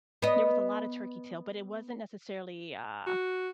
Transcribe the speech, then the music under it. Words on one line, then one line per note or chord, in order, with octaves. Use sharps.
there was a lotta turkey tail, but it wasn't necessarily, uh,
B3 D#5
F#4